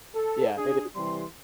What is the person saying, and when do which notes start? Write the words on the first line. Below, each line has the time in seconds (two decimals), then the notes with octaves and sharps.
Yeah, it is
0.14 A4
0.56 D4 G#4
0.95 C3 E3 G3 C6